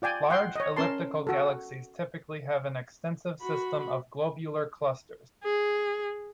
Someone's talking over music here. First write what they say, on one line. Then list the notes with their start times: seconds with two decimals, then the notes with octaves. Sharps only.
Large elliptical galaxies typically have an extensive system of globular clusters.
0.02 F4 D5 G5 G#5
0.30 F#5 G5 C6
0.56 C#5 D#5
0.77 C#4 A#4 A5 C6
1.27 F#4 A4
3.42 F#4 B5
5.44 G#4